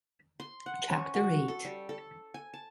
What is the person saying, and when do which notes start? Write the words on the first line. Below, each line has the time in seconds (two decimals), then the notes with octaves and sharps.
Chapter eight.
0.40 C6
0.66 F#5
0.90 C#4
1.15 F#4
1.48 A4
1.65 G3
1.89 A4
2.34 G#5
2.54 A5